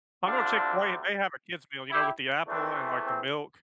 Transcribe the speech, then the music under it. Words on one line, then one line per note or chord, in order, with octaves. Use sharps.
I know Chick-fil-A, if they have a kids meal, you know, with the apple, and, like, the milk
D2 D3 G3 C4 D4 F4
E4 G4
E2 E3 A3 C4 D4
C4